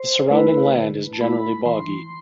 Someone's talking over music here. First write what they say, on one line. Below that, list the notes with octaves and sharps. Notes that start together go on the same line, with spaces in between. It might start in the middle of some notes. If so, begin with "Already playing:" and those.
The surrounding land is generally boggy.
Already playing: C5
A3 E4 B4
D3
A5
A3 E4 B5
E3 C6